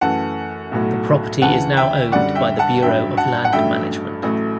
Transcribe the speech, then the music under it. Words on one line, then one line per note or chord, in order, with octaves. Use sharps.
The property is now owned by the Bureau of Land Management.
F#2 E3 A3 F#5 A5
B1 A2 F#3 A3
D2 C#3 E3 F#5 A5
E5 G5
F#2 D3 G3 D5 F#5
E5 G5
F#5 A5
A1 G2 F#3 E5 G5
F#5 A5
F#5
A1 G2 F#3 A3 E5 G5
A1 A2 F#3 A3